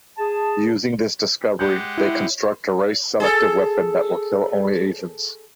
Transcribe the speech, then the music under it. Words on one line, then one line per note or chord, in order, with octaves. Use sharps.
Using this discovery, they construct a race-selective weapon that will kill only Asians.
G#4 A5
G#3 G4 F#5 G6
E4
G#4 A4